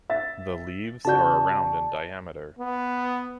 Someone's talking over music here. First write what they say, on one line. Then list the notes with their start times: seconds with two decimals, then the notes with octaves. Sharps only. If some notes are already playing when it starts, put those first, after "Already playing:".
The leaves are around in diameter.
0.10 E5 A6
1.05 C#3 F#4 D5 A5 G6
2.59 B3